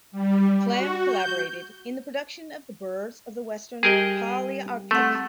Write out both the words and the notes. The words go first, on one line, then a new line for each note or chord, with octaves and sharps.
Klemm collaborated in the production of the "Birds of the Western Palearctic".
G3
F#4
G6
G3 G4 G#4 A#4 D#5
A3 C4 F#5